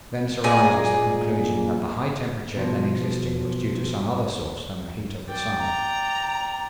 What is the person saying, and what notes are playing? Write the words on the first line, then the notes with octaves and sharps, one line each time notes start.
Thence arises the conclusion that the high temperature then existing was due to some other source than the heat of the sun.
A#2 A#3 G#4 D#5 G#5
B2 F3
D5 G5
A#5